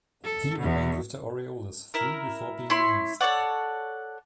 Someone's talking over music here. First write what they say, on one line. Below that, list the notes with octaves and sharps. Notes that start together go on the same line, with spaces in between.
He remained with the Orioles through before being released.
A4
E2 B2
E4 A#4
E4 C#5 B5 C6
A4 C#5 D5 F#5